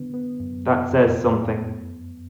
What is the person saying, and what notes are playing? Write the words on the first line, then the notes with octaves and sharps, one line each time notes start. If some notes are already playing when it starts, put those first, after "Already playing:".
That says something.
Already playing: D3 B3
B3
F#2
B3
F2